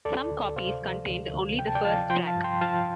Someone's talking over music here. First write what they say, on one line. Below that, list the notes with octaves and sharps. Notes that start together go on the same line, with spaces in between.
Some copies contained only the first track.
D2 A4 D5
D2
C3 C5 F5
F3
D2
D2
C3 G5
A5
D5 G5
F3 F5 A5
F3 G5 C6
F5 A5
G2
G5 C6
F3 F5 A5